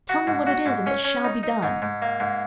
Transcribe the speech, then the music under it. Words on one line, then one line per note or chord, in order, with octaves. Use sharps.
'Tell me what it is, and it shall be done.'
F#4
G#2
F#4
G#2
C#4
C#4
D#4
D#4
G#2
G#2
A#3
G#2